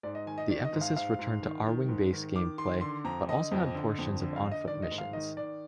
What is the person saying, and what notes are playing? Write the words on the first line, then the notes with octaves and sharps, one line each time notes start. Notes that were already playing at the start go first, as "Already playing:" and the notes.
The emphasis returned to Arwing-based gameplay, but also had portions of on-foot missions.
G#2 D5
D#5
D#3 G#5
D#5
D#3 D5
D#5
G#2
F5
G#2 F5
G#2
D#3
D#3
G#2
D#3
D#3 D6
D#3 C6
D3 C6
F2 A#5
D3 D#5
F2
D3
F2
D3
F5
D3
D#5
D#3 D5
D#5
G#2
F5
D#3 D#5
D#3 D5